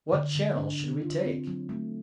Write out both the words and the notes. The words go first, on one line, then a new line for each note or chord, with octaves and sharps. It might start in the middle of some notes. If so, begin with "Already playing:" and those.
What channel should we take?
D3
D3
D4
D3
F4
C4
F#3
A3